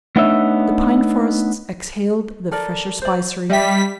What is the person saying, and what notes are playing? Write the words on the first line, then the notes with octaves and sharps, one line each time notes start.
The pine forests exhaled the fresher spicery.
A3 B3 D4 D#4 C#5 E5
A4 A#4 D5
C5 D5
G3 D#5 E5 G5 B6